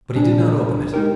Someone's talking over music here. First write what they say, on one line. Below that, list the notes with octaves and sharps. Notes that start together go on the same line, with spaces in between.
But he did not open it.
A#2 G3 D4 G#4
G#3 D#4 G4 A#4